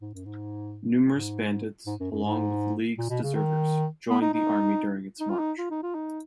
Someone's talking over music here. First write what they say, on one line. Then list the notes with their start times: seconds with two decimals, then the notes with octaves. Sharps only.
Numerous bandits, along with the League's deserters, joined the army during its march.
0.01 G#2
0.14 F#2
0.25 G#2
1.12 G#2
1.86 G#2
2.00 F#2
2.12 F#2
2.24 G#2
2.98 A#2
3.10 B2
3.23 C#3
3.35 D#3
4.10 B3
4.22 D#4
4.34 D#4
5.20 D#4
5.30 F4
5.39 D#4
5.58 F4
5.70 D#4
5.83 F4
5.94 D#4